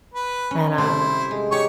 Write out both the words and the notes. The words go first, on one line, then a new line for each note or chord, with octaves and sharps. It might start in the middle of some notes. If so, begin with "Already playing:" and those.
and a
B4
C#4
C3 G3 A3 E4 C5
G#3
D#4 G4 C#5 C#6